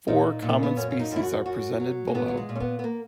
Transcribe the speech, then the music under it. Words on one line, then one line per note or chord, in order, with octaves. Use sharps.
Four common species are presented below.
A#2 D#4
A#2
A#3
B3
F#2 C#4
C#4
D#4
F#2 E4
F#4
F#2 F#4
F#3
A#3
A#2 B3
F#3
G#3
A#2
C#4
B3
B3
A#3